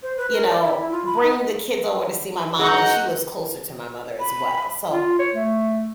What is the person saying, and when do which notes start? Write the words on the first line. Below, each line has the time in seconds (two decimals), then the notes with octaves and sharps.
you know, bring the kids over to see my mom and she lives closer to my mother as well. So
0.03 C5
0.17 B4
0.32 A#4
0.49 D5
0.64 E4
0.92 F4
1.06 B5
1.23 D#4
2.59 F#3 G#3 D#4 G#4 F#5 A#5 C#6 G6
4.20 B5
4.91 F4
5.19 C#5
5.34 A3